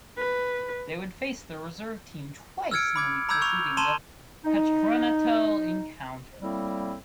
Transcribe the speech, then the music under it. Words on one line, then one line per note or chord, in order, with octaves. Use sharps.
They would face their reserve team twice in the week preceding the Patronato encounter.
B4
E6 F6 G#6 C#7 D7
B5 D6 G#6
A#5 B5 D6 E6 G6 G#6
C#6 F7
A5 A#5 C6 D#7 E7 G7
D#4
A2 G3 A#3 C4 E4